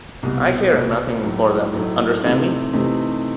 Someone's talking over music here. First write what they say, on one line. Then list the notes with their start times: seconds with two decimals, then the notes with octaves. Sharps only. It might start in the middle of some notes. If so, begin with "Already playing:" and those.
I care nothing for them — understand me?
0.23 C2 B2 G3 B3
0.73 C2 B2 G3 B3
1.23 A2 F#3 A3 D#4
1.73 A2 F#3 A3 D#4
2.23 C3 E3 A3 C4 D#4
2.73 C3 E3 A3 C4 D#4